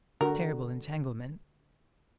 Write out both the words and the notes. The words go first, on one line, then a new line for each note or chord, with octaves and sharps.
Terrible entanglement!
D3 F#4 A#4